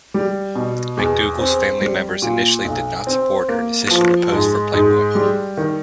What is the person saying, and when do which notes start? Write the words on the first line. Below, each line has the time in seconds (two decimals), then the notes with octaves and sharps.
McDougal's family members initially did not support her decision to pose for "Playboy".
0.14 G3
0.55 B2
0.97 E2
1.39 C4
1.81 G3
2.22 A#2
2.65 B1
3.07 C4
3.49 A#3
3.91 F3
4.32 G#2
4.74 G#2
5.15 G3
5.57 D#3